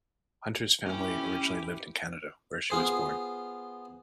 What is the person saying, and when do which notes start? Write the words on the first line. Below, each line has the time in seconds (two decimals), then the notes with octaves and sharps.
Hunter's family originally lived in Canada where she was born.
0.86 C#4 E4 G4 G#5
2.70 B3 F4 G#4 C5